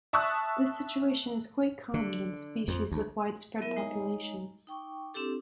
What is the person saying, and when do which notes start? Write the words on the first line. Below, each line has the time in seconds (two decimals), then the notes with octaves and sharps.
This situation is quite common in species with widespread populations.
0.13 E5 A5 C#6 D#6 E6 F#6
1.94 D3
2.68 F2
2.92 D2
3.61 F#3 B3 E4 A#4 E5
3.76 G#3 D#4 C#5 D#5 G#5 A#5
4.67 D#4 G5 C#6 D6
5.14 C4 D4 E4 G4 A4 D6